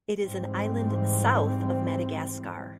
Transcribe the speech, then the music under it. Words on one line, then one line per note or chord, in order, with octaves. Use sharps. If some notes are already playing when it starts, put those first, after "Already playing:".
It is an island south of Madagascar.
G#2 E3 G3 C4